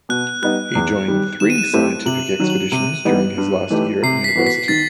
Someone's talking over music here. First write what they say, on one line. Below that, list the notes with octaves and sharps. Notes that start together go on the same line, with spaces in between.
He joined three scientific expeditions during his last year at university.
B2 F#6
G3 B3 D#4 F#6
E2
D#3 G3
D#3 E7
D#7
E7
A3 C4 E4 G4
C3 F#7
F#7
D#3 F#3
F#7
C3 D#7
E3 G3 B3 D#4
G2
E3 A3 D#4 G4
C3 C7
B6
E3 B3 F#4
B6
D#3 A6